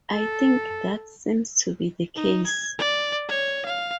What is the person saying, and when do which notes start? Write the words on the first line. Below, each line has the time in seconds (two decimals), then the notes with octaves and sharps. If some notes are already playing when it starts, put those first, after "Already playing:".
I think that seems to be the case.
0.13 A4
2.16 D#4
2.46 G#6
2.79 D5
3.29 C#5
3.65 F5